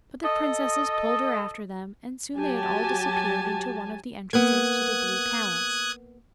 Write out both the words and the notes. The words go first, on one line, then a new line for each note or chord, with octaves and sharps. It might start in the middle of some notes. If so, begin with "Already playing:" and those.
But the princesses pulled her after them and soon they had all disappeared into one of the entrances to the Blue Palace.
A4 D#5
F#3 G4 G#5 A5
A#3 B3 D#6 F#6 G#6